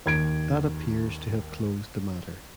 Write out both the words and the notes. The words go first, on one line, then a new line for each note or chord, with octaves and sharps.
That appears to have closed the matter.
D#2 G#6 D7